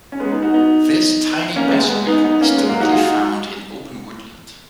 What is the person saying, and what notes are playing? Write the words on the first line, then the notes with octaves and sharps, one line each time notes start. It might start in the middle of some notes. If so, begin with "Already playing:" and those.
This tiny passerine is typically found in open woodland.
C#4
G#3 B3
B3 D#4
D#4 F#4
B3 D#4
A#3 C#4
G#3 B3
G#3 B3
G#3 B3
B3 D#4
B3 D#4
A#3 C#4
G#3 B3
F#3 A#3
D#4 F#4
F4 G#4
D#4 F#4